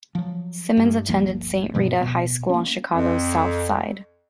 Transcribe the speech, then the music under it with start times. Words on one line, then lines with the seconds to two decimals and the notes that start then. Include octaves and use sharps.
Simmons attended Saint Rita High School on Chicago's south side.
0.15 F3 F#3
0.77 G2
1.08 G1 D2 F3 A#3
1.74 G2 B2 F3 B3
2.01 D1 B2 B3
2.49 A#3 C#4
2.92 F2